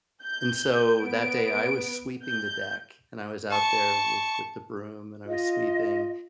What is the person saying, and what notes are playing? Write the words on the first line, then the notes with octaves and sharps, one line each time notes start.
And so that day, I was sweeping the deck, and I was out there with with the broom, and I was sweeping.
G6
B3 D7
G6
A5 C#6
F4 D#5